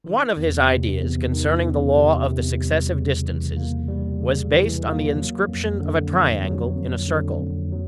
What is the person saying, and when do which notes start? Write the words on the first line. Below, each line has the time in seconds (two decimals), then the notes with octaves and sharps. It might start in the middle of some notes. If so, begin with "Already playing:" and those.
One of his ideas concerning the law of the successive distances was based on the inscription of a triangle in a circle.
0.04 D#3
0.36 E2
0.68 C3
1.00 E2
1.32 D#3
1.64 E2
1.97 C3
2.28 E2
2.60 G3
2.92 C#3
3.24 E3
3.56 A#3
3.88 G3
4.20 C#3
4.52 E3
4.84 A#3
5.17 F#3
5.48 F2
5.80 D3
6.12 F2
6.44 F#3
6.76 F2
7.08 D3
7.41 F2
7.72 F#3